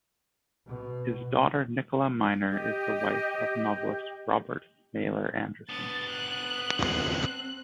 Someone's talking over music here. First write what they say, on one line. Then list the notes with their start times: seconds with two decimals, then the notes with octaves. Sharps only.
His daughter Nicola Miner is the wife of novelist Robert Mailer Anderson.
0.67 B2
2.50 G4 D#5
5.69 B3 D4 A6
6.10 F#6
6.85 C4